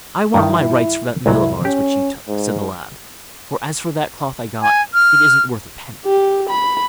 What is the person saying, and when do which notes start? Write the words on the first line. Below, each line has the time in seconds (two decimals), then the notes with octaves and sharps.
'I want my rights for that meal of ours which you took', said the lad; 'for, as for that cloth I got, it isn't worth a penny.'
0.34 G2 D#3 E4
1.26 C2 G#2 F#3 E4
1.65 C#4 G4
2.28 G#2
4.62 G#5
4.94 F6
6.05 G4
6.50 B5